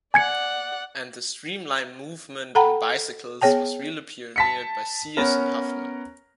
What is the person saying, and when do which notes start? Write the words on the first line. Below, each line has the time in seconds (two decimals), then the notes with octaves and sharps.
And the streamline movement in bicycles was really pioneered by Sears and Huffman.
0.14 D5 F#5 G#5 G#6 C#7
2.55 A4 F#5 G5 A#5 B5
3.41 B3 G#4 C#5 G5 A5
4.36 A5 B6 C#7
5.17 B3 C#4 A#4